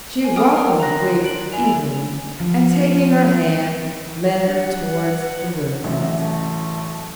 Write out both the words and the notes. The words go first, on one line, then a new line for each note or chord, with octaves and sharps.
She welcomed Wiggs eagerly, and taking her hand led her towards the roses.
G#5
F5 G5 B5 D6 D#6
A#4 F#5 A#5 F6
C5 F#5 A#5 A#6
D4 D7 F#7
D4 E4 G#5 F7
F3
D4 F#5
A1 F#3 E5
A3